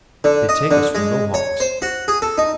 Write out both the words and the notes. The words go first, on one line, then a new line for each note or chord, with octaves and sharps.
They take us for Mohawks.
D3
D#5
D3
G#3
C#5
C5
F#4
G#4
A4
D#4